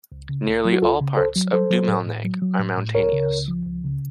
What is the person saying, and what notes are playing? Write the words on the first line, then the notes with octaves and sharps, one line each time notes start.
Nearly all parts of Dumalneg are mountainous.
C#2
C#3
C#2
F#3
F#4
C#2 F4 A4
C#3
C#2 A4 C5
F#3
F#3 A4 C5
F#3
A2
A2
F#3
F#3
A2
A2
C#2 A#4 C#5
C#3
C#2
F3
C#2
C#3